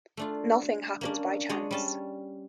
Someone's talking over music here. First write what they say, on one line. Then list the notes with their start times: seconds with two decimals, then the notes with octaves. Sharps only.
Nothing happens by chance.
0.17 A3 D4 F4
1.01 A#3 C#4 D4
1.49 G#3 D4 C#5 D#5
1.71 G3 C#4 A5